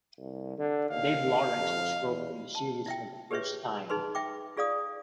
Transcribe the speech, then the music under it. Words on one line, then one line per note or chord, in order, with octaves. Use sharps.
Dave Lawrence was roped in the series for the first time.
C2
D3
D#2 F5
F2
E2
A5
E4 E5 G5
G4 G#4 B4 C#5 E5
D#4 G#4 B4 C6
E5 G5 D6
F4 G#4 D5 F5 D#6